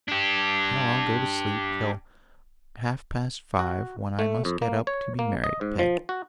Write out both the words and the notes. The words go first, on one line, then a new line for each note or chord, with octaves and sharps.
And now I'll go to sleep till half-past five, when I must get up to be married, Peg!'
D4 G4
F#4
A3
F2
A#3
C#5
A#3
D#5
G#2
F3
F#4